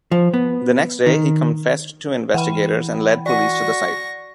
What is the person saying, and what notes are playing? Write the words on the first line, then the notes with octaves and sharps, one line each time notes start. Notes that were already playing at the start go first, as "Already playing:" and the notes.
The next day, he confessed to investigators and led police to the site.
F3
B3
D#3
E3 F#5 G5 B5
F#4 D5 F#5 C#6 A#6